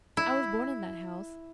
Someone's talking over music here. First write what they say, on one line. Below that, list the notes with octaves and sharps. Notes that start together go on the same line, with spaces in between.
I was born in that house.
E4